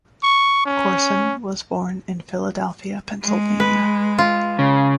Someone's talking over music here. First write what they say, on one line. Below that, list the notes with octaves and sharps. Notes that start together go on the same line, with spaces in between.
Corson was born in Philadelphia, Pennsylvania.
C#6
C#4
G#3
B4
F4
C#3